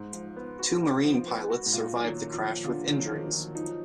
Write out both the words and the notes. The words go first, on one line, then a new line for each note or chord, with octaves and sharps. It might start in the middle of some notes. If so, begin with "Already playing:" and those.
Two Marine pilots survived the crash with injuries.
Already playing: G#2
F3
B3
F#4
D#4
F3
B3
F#4
G#2
A#2 F4
F#3
D#3
A#3
F3
F#3
D3 F4
D#3 F#3
F3
D#3 A#3
F3 F#3
F3 D#4